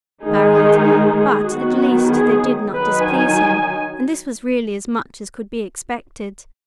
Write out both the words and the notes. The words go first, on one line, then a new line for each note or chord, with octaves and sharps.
Barold, but, at least, they did not displease him; and this was really as much as could be expected.
D#3 G#3 D#4 G#4
G#4
D#3 F#3 B3 F#4
G#4
D#3 F#3 D#4 B4
G#5